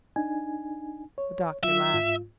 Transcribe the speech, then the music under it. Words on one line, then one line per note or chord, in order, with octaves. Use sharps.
The doctor laughed.
D4 D#4 G#5
C#5
F#3 F4 E5
G#2 F4